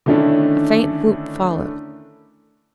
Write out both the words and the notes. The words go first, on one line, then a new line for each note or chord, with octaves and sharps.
A faint whoop followed.
D3 D#3 A3 C#4 D4 E4